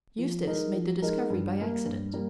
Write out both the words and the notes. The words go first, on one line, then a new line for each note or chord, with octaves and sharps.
Eustace made the discovery by accident.
F3
G#3 D#4 A#4
F3
G#3 D#4 A#4
G2
G3 A#3
G2
G3 A#3